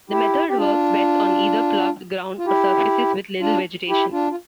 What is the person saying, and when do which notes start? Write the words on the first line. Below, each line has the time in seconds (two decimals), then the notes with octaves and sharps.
The method works best on either ploughed ground or surfaces with little vegetation.
0.10 E4 G4
0.49 G4
0.57 D4 F4
2.39 F4
2.46 E4 G4
3.41 D4 F4
3.89 E4 G4
4.12 D4 F4
4.31 F4